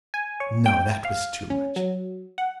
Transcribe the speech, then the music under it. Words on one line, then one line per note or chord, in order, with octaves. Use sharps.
No, that was too much!
G#5
C#5
G5
F5
C#4
F#3
F#5